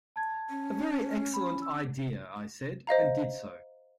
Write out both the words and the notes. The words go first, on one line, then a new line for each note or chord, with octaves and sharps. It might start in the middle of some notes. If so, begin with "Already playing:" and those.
"A very excellent idea," I said, and did so.
A5 G#6
C#4
B5
E6
C5 D#5 F5 A#5